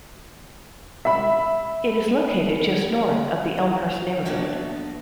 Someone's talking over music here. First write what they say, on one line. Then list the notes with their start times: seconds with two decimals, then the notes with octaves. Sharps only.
It is located just north of the Elmhurst neighborhood.
1.05 E5 B5
4.25 A#3 B3 D4 F#4 A4 E5